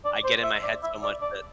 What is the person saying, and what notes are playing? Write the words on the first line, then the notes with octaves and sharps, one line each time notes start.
I get in my head so much that
D5
C5
E5
D5
E5
D5
D5